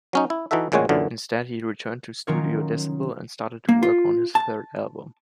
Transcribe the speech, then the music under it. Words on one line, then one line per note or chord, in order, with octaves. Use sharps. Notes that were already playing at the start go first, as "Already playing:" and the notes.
Instead, he returned to Studio Decibel and started work on his third album.
F#3 C#4 D#4
E4
E3 D#4 F#4 A4 E5
A1 A#2 C#3 G#3 C#5 F#5
F#2 A#2 D3 E3
D#3 F#3 C#4 F4 A#4 C#5
A#3
F4
A5